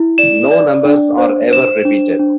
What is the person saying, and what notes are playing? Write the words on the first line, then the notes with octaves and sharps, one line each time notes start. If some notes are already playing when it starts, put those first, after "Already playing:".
No numbers are ever repeated.
Already playing: E4
D5 E7
D5
D4
C5
C5 E7
D4
D4